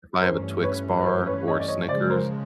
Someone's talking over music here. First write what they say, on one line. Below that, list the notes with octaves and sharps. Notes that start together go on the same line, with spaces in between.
if I have a Twix bar or Snickers
G2 E3 A3 C#4 A#4 C5
B4 C#5
B4
A#4 C5
B4 C#5
C#5 D#5
D5
C#5 D#5
C#3 F3 G#3 C5 D5
A#4 C5